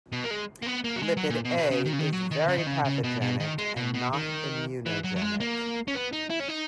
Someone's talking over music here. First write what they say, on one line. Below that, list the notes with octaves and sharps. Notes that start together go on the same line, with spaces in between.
Lipid A is very pathogenic and not immunogenic.
B2
A#3
G#3
A#3
B3
A#3
F#3
G#3
F#3
A#2
B2
B2
C#3
D#3
C#3
D#3
F#3
D#3
C#3
D#3
C#3
C#3
B2
B2
D#3
G#3
B2
B2
D#3
E3
F#3
F#3
G#3
A#3
C#4
B3
D#4
E4
C#4
D#4